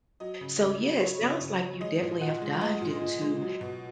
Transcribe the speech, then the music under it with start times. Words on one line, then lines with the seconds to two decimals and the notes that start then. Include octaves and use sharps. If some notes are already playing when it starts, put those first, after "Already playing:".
So, yes, it sounds like you definitely have dived into
0.20 F#3 D#5
0.41 C#3
0.61 C#3
0.81 F#3
1.01 F#3 C#5
1.21 C#3
1.41 C#3
1.61 F#3
1.81 G#3 D#5
2.01 A#2
2.21 A#2 F#5
2.42 G#3
2.61 G#3 D#5
2.81 A#2
3.01 A#2
3.21 G#3
3.42 F#3
3.61 B2